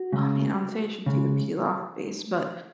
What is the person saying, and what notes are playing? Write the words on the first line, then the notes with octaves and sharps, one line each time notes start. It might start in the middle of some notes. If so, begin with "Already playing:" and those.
I mean, I'm say you should do the peel off base, but
Already playing: F#4
C#3 G#3
C#3 G#3